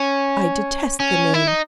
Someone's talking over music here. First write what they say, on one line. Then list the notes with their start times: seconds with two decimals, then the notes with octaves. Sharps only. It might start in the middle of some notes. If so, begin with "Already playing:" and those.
I detest the name!
Already playing: C#4
1.00 C#4
1.34 E4
1.47 D#4